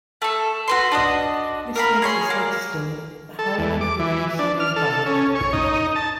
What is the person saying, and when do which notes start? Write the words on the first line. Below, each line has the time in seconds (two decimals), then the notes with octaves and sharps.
This makes the cytosol a highly-reducing environment.
0.22 A3 A4
0.68 F#4 B4 C6
0.92 D4 F#4 D#5
1.76 A#4 F5 B5
2.02 G#4 C#5 C6
2.30 A#3
3.39 A4
3.58 E2
3.81 D6
3.99 E3
4.39 D4
4.60 F6
4.76 A4
5.06 C#4
5.35 C#5
5.53 D#4
5.96 A5